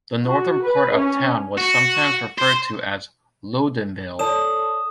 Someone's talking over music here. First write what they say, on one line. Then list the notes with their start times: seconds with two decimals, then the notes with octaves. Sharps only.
The northern part of town was sometimes referred to as Lowdenville.
0.24 F#4
0.63 B4
0.95 C#4
1.57 F#4
2.38 C5
4.19 A4 C#5 D5 A5 D#6 E7